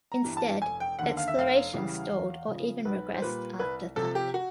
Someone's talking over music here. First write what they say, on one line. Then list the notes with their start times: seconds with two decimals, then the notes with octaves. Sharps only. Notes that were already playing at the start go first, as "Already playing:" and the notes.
Instead, exploration stalled or even regressed after that.
0.12 A#5
0.24 G2 E3 G3
0.37 A5
0.62 F1 G#5
0.80 G5
0.99 D#2 D3 F#5
1.17 F5
1.28 E5
1.36 F1 F5
1.73 E2 C#3 E3 G3
2.11 E2
2.48 C#3 F3
2.85 B1 B4
3.14 C5
3.22 A#2 G3 B4
3.59 C2 B4
3.96 C3 F3 A4
4.15 G4
4.34 F#4